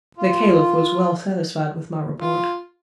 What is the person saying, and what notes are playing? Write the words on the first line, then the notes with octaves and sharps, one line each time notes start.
The Caliph was well satisfied with my report.
F4
F4